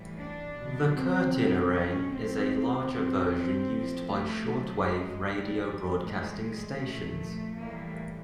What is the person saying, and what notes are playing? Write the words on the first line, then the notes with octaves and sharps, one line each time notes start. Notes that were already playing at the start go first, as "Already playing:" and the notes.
The curtain array is a larger version used by shortwave radio broadcasting stations.
Already playing: A2 E3 G3
D4
B2 F#3
C4
B2 F#3
C#4
A2 F#3 C4
A#2 F#3 C4
A2 F3
A3
C#3 F#3
G#3
A2 F3 G3
A2 E3 G3 G#3
A#2 F3 A3
A2 E3 G3 A#3